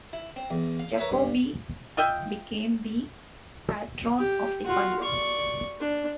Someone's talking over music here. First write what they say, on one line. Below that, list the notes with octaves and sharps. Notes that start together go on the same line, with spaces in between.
Jacobi became the patron of the Fund.
E4
C4
E2
F5
A#4 B4 C#5 E5
G2
F4 D#5 E5 G5
G4
F4 F#4
D5 C#6
D4